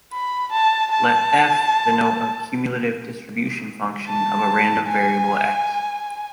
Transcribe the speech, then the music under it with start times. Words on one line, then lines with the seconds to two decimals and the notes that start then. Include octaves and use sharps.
Let "F" denote a cumulative distribution function of a random variable "X".
0.13 B5
0.52 A5
0.92 A5
4.07 A5
4.87 G#5